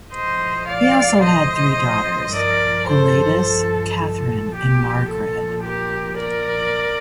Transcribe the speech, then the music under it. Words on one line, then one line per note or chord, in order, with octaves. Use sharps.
He also had three daughters, Gwladus, Catherine and Margred.
A2 F3 C5 D#5
D5 F5
C5 D#5
G2 F3 A#4 D5
A4 C5
A4
A4
A#2 F3 G4
A4
G4 A#4
A#4 D5